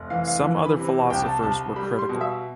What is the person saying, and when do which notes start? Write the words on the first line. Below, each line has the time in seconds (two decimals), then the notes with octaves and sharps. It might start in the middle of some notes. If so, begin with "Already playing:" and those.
Some other philosophers were critical.
Already playing: F1
0.10 E3 F5
0.27 F5
0.43 E3
0.66 B5
0.76 C3
1.10 C2 G5
1.26 A5
1.43 C2 A5
1.76 G3 B5
1.99 C6
2.09 B2
2.21 E5